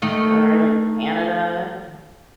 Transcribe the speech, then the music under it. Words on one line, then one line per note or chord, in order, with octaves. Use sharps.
or, like, Canada
D#3 A3 D#5